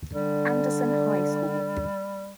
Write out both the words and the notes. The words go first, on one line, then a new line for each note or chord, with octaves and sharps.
Anderson High School.
D3 G3